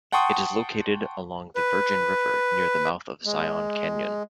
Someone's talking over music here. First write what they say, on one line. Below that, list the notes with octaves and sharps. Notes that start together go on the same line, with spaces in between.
It is located along the Virgin River near the mouth of Zion Canyon.
F#5 G5 A5 C6 C#6 D#6
B4
G#3